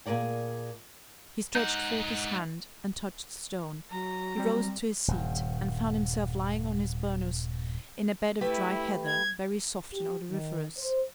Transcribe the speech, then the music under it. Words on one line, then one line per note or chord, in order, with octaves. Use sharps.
He stretched forth his hand, and touched stone; he rose to his seat, and found himself lying on his bournous in a bed of dry heather, very soft and odoriferous.
A#2 G#4 A#4 D5 G5
G#3 D#4 F#5 G6
F#3 A#5
G3 C4
D#1 G2
A3 E4 G4 B4
G#6
G4
D#3
C5